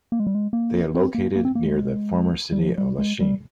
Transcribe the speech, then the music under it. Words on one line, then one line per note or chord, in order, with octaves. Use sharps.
They are located near the former city of Lachine.
A#3
G#3
G3
G#3
A#3
C4
A#3
A#3
C4
A#3
G#3
G3
F3
G3
G#3
G3